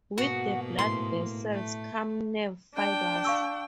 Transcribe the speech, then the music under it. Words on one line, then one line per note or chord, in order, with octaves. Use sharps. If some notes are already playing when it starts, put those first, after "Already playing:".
With the blood vessels come nerve fibers.
G#2 B2 A#3 F#4
A2 C6
A3
D4 G5
F5 C#6 E6